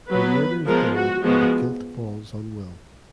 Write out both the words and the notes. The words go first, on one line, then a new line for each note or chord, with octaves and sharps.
He murders Dodd and the guilt falls on Will.
F#3 B3 B4
F3 G#3 B3 A#4
F#4
F3 G#3 B3 F#4